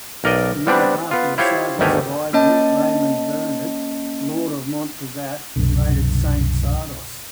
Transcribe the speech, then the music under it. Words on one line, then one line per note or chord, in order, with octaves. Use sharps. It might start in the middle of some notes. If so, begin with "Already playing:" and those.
The night after the sergeant's arrival, Raymond-Bernard, lord of Monpezat, raided Saint-Sardos.
B1 A#4 D5 D#5
G3 B3 C4 D4 D5
B3 F4
E4 F4 G4 C5 C#5 F5
G1 D2 D#3 A3 G4 G#5
A#3 C#4 D#5 A5
C2 F#2 B2 D3